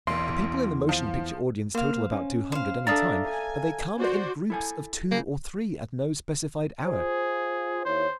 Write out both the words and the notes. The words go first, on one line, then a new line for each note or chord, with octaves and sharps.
The people in the motion picture audience total about two hundred, any time, but they come in groups of two or three at no specified hour.
B1 E2 A#3 C6
F3
A#3 C5 F5
C#4
C5 F5
D4 A4 D5 E5 F5 A#5 D#6
G#5
F#4 C5 D5
E4 A4 G#5
C#3 A#3
F4 G#4 C5
D#2 E4 C5 C#5